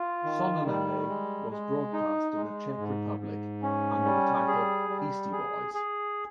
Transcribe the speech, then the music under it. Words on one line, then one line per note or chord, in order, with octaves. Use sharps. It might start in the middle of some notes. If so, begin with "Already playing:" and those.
"Sonnenallee" was broadcast in the Czech Republic under the title "Eastie Boys".
Already playing: F4
D#3
G3
G#3
G#3
D#4
G#3
G#2
G#2
C#4
G3
G#4
G3
G#4
G#4